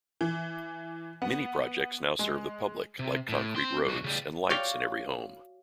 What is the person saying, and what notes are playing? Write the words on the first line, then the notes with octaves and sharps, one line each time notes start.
Many projects now serve the public like concrete roads and lights in every home.
E3
B3
G#3
C3
A2
C4 C6
C2 F#4
C#3 G3
F#4 C#5 D5 F5 G5